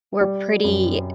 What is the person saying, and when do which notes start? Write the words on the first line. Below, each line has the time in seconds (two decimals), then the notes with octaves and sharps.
we're pretty
0.21 G3
0.64 F#2